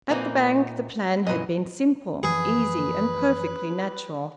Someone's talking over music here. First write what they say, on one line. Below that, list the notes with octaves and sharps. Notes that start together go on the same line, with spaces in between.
At the Bank the plan had been simple, easy, and perfectly natural.
A#2 E3 A#3 C4 D#4
F#2 A#2 E3 B4 D#5
F#2 E3 F3 G#4 B4